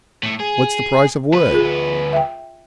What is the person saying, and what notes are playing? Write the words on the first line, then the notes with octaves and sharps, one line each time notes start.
"What's the price of wood?"
A2 A3
G#4
D2 B4
F4 G#4
E5 G5